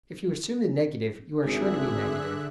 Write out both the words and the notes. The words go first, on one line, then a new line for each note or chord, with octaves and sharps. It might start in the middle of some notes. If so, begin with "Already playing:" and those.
If you assume the negative you are sure to be negative.
G#1 D3 G#4 E5 F#6